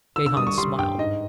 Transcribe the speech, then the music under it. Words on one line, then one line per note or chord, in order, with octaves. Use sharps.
Gahan smiled.
D3 E6
E6
G3 D#6
C#6
G3 C6
G2 G5
G#2 D#5